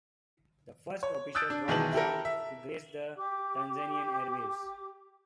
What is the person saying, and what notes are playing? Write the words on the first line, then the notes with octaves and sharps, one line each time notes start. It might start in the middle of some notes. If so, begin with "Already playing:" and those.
The first official rap song to grace the Tanzanian airwaves.
C#5
D#6 E6 F#6 G6 A6 D7
D4
B1 D#3 E3 G#3 A5 F#7
E4 G4 A4 A#4
E5
G4 D6